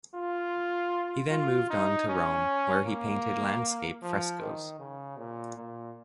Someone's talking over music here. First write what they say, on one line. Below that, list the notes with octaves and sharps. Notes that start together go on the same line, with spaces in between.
He then moved on to Rome where he painted landscape frescos.
F4
F4
D#4
C#4
A#3
F3
D#3
C#3
A#2
A#2